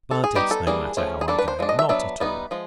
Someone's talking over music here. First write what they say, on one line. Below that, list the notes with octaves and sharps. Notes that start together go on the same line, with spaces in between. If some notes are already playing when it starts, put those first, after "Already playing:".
But it's no matter how I go,--not at all.
A4
G#4
G3 B3 D#4 G4
A4
E3 G3 A#3 D4 G#4
F3 A3 C#4
G#4
G3 A#3 D4 A4
B4
C5
F3 G#3 D4
D#5
E5
F#3 B3 D4 E5
G3 B3 D#4
F3 G#3